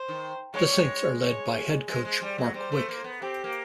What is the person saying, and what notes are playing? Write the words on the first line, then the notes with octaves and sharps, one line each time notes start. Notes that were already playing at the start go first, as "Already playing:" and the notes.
The Saints are led by Head Coach Mark Wick.
Already playing: C5
D#3
G#3 C#5
G3
G#3
C#5
G#3 C5
G#3
G3
F#3
G3 C5
A3
A#3
B3
C4 G4
A#3